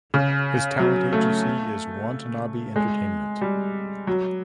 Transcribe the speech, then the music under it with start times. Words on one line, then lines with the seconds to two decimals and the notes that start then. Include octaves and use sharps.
His talent agency is Watanabe Entertainment.
0.14 C#3
0.79 F#3
1.13 A3
2.76 G#3
3.41 G3
4.07 F#3